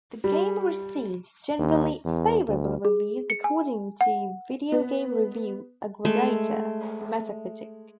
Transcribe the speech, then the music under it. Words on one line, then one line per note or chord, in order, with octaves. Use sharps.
The game received "generally favorable" reviews according to video game review aggregator Metacritic.
G3
D#2
E2
D2
G#4
C#7
G#5
F#5
B3
G#3 A3